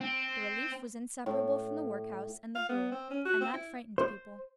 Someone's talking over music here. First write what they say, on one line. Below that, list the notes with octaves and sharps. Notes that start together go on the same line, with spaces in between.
The relief was inseparable from the workhouse and the gruel; and that frightened people.
C4
A2
F5
B3
C4
C#4
F#4
C4
E4
C5